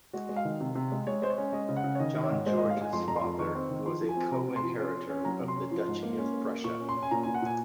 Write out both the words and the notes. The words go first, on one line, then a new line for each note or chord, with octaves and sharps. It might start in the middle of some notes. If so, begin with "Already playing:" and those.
John George's father was a co-inheritor of the Duchy of Prussia.
G#3 F#4
G#3
F5
D#3
C3
C3
G#3
G#3 C#5
G#3 C5
C#5
C#4
G#3 D#5
C#3
F#5
C#3
C#5
D#3 D#5
D#3
C#5
G#2
G#3 C5
G#2 D#5
F5
G#3
G#5
F2 C6
F2 A#5
C6
F2
D#3 C#6
C4
D#3
F3 C6
F3
G#5
C4
C3 A#5
C3
C6
F3
C#4
C#4
C#4
F#3 A#5
C3
C6
C#4
F3
G#2
A#3
C#4
A#3
A#3
A#2 C#6
C#4
C6
C#4
G#5
A#2 A#5
A#2 G#5
F#5
A#2 G#5